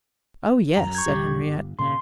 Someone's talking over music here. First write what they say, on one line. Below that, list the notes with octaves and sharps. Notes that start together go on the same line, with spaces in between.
"Oh yes," said Henriette.
F#2 A#5
C#6 G6 G#6
A#1 D#2 G3 G4
G1
G#1 A#2 C#3 C6